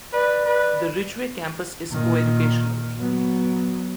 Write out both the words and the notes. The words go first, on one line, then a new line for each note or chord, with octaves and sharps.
The Ridgeway Campus is co-educational.
B4 D5
B4
A#2 D#3
F#3 B3